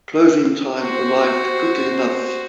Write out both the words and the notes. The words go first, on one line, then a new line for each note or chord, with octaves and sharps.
Closing time arrived quickly enough.
F#4 C5